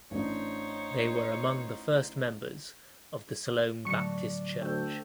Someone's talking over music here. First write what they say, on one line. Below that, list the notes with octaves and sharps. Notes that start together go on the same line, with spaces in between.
They were among the first members of the Siloam Baptist Church.
A1 D4 D#4 C5 C#5
A2 D3 F#3 D4 F#4 D5 C#6 C#7
D2 A3 G5 E6